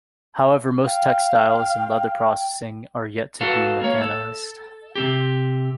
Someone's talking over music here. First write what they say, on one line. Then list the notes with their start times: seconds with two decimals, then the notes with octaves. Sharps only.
However, most textiles and leather processing are yet to be mechanized.
0.85 F5 G5
3.41 F#4 A4 B4 F5
3.81 A#3 C#5
4.01 A4
4.96 C3 C4 G4